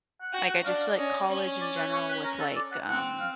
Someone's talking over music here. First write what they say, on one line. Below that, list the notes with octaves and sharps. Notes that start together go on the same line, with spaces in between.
Like, I just feel like college in general with, like, um,
F#5
F#4 G5
F#5
D4 F5
F5
C#4 D#5
C#4
D5
B4
C#5
B4
A#4
A4
D5
F#5
C4 F#5
F5